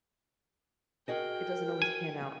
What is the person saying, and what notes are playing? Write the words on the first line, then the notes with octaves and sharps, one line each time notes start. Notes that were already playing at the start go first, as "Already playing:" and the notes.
it doesn't always pan out
F#4 G#4 A#4 D#5 G5
G#5